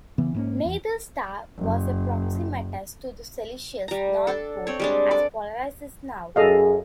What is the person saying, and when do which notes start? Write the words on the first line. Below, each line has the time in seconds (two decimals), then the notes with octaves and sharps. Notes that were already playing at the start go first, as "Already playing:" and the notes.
Neither star was as proximitous to the celestial north pole as Polaris is now.
0.18 C#3 E3 B3
0.34 G#2 A#3 C#4
0.65 E2
1.59 F#1
3.88 G3 A#5
4.27 D4 A4
4.67 C4 C#5
4.80 G3 G#3 D4
5.11 A4 D5
6.36 F#2 G#4 A4 D#5 F5